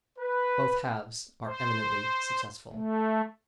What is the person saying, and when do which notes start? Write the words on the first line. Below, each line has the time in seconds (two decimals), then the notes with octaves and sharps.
Both halves are eminently successful.
0.19 B4
1.45 C5
2.73 A3